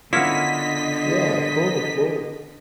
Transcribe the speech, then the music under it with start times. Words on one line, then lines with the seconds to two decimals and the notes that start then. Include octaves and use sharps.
Yeah, cool, cool.
0.13 D3 A#3 B3 C#4 E4 F4 D#5 B6